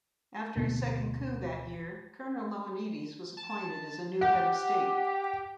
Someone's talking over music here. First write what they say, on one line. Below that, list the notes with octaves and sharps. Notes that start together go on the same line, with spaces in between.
After a second coup that year, Colonel Ioannides was appointed as the new head-of-state.
D1 B2 A#3 B3
A5
G4 F#5